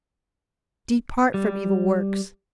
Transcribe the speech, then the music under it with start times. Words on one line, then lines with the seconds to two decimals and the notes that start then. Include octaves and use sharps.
Depart from evil works.
1.34 G3